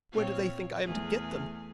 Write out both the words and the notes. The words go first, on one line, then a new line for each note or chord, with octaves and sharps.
Where do they think I am to get them?
A#2 C4 C#5
E2 A3 G#4